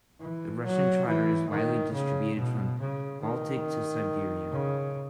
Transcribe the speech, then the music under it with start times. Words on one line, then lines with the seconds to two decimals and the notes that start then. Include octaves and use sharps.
The Russian Trotter is widely distributed, from the Baltic to Siberia.
0.20 E3
0.64 F#3
1.07 E3
1.50 D#3
1.93 C#3
2.36 B2
2.80 C#3
3.22 D#3
4.51 C#3